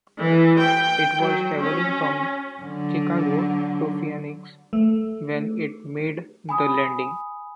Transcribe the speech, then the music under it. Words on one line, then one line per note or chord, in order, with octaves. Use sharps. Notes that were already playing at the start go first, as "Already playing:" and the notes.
It was traveling from Chicago to Phoenix when it made the landing.
E3
G5
F#3
C#4
D3 F#3
A3
G#5 B5 D#6